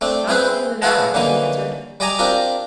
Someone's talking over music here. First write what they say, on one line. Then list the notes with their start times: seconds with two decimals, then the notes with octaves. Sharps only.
"Not more than an hour," he answered.
0.01 A3 C4 D4
0.28 C4 E4 G#4 B4 C5
0.82 E4 G#4 B4 F5 F#5 A5
1.14 D3 E3 A#3 C#4 D#4
2.00 G3 D5 D#5 G#5 A#5
2.19 C4 D4 F4 G4 A#4